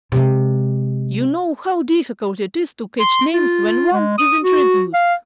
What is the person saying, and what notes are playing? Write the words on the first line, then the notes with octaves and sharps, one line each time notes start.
You know how difficult it is to catch names when one is introduced.
C3 G#3
C6
F4
G#3
D#6
F#4
F5